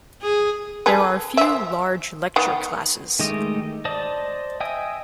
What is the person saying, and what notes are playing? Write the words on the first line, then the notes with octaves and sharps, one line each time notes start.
There are few large lecture classes.
G#4
G#4 A4 B4
F3 E5
D#3 B3
D#3 G#3 A3 G4 D#5
C5 D5 D#5 A5 D#6
D#5 E5 G5 G#5 D#6